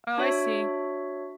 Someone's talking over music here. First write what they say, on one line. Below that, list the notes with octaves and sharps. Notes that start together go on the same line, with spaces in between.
Oh, I see.
D4 F#4 C#5 E5